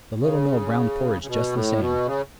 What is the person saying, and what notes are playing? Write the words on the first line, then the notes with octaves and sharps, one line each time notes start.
The Little Mill ground porridge just the same.
C#3
C#3
B2
A2
B2
C#3